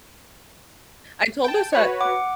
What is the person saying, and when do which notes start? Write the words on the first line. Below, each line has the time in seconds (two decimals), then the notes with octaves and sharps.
I told this at,
1.44 G5 A5
1.73 F#4 B4 C#5
2.00 F#5 D6